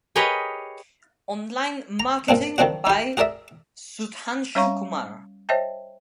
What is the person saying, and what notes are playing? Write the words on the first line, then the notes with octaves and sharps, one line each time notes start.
Online Marketing by Sudhanshu Kumar.
G4 G#4 A#4 B4 C#5 D#5
A#5
G2 A#2 C4 D4
D#3 F3 C4 D4 F#4
D#4 G4
F#4 G#4 A#4 D5 E5
G3 C#4 C#5 F5 A#5 C#6
C5 C#5 D#5 E5 G5 A5